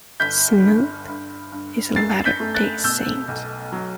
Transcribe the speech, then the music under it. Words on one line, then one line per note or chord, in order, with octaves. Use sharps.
Smoot is a Latter-day Saint.
G1 G6 B6
G2
G2
G2
F#2 A6 C7
G6 B6
A3
F#6 A6
B2 E6 G6
B1
F#3